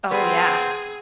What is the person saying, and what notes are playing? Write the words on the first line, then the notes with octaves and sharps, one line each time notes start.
Oh, yeah.
B3 C4 G#4